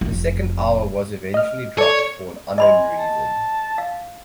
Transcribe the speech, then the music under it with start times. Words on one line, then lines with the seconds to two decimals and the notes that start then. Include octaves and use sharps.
The second hour was eventually dropped for an unknown reason.
0.01 F1 F2
1.34 D#5 F6
1.78 A4 C#5 D5
2.58 D#5 G#5 B5 C6
2.99 A5
3.78 F5